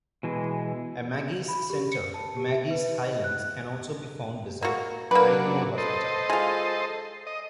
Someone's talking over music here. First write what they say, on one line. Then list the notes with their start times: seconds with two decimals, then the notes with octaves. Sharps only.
A Maggie's Centre, Maggie's Highlands, can also be found beside Raigmore Hospital.
0.23 B2 E3 G#3
1.48 B5
1.70 G4
1.92 C#7
2.14 A5
2.37 G4
2.51 E5
2.71 B4
3.03 D#5
3.24 F#6
4.63 A#3 F#4
5.11 F#3 A#3 D4 B4
5.78 A4 C5 D#5
6.30 G#3 F4
7.27 D#5